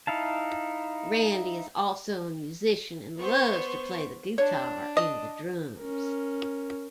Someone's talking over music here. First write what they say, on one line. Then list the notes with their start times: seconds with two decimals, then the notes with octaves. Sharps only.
Randy is also a musician and loves to play the guitar and the drums.
0.07 D#4 E4 F5 A5
3.19 B3 C5 C#6
4.38 D4 C#5
4.97 D#5
5.80 C#4 A#4